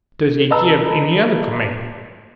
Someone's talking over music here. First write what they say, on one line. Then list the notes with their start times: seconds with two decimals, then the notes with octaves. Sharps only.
Does he give any other command?
0.50 B4 D#5 A5 A#5 E6